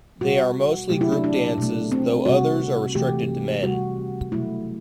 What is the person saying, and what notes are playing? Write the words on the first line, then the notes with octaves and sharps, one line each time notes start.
They are mostly group dances, though others are restricted to men.
B2 G3 F#4
C3 F#3 A3 G4
E4
D4
D4
B2 A3
C4
C3 G3 F#4
C3 E3 A3 G4
C3 G3 F#4
B2 F#3 A3 E4